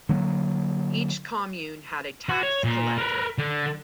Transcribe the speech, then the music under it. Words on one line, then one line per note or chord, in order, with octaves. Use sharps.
Each commune had a tax collector.
D3 F#3 A3 A#3
F#4
C#5
A#2
A#4 B4
D3